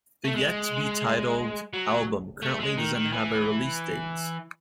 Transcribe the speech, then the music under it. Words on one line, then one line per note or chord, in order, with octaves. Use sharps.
The yet-to-be titled album currently doesn't have a release date.
A3
G#3
F#3
A3
G#3
D#3
D#3
E3